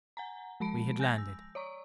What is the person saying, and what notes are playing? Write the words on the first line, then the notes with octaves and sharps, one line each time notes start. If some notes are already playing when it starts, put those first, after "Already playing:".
We had landed.
F#5 G#5 A#5
F3 G#3 A5 B5 D7
G#5 G6 A#6
E6
C#5 D5 A#5 C#6